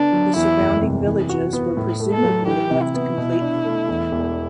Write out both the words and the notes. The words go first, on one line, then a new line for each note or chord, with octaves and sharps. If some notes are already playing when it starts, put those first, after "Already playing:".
The surrounding villages were presumably left completely.
Already playing: D3 B3 D4
F#3
E2 E4
F#1
C3
E3
F#4
B3
A2
A3
A4
F#3
E3 G4
C3
E4
B3
B2
D4
A3
E2
E1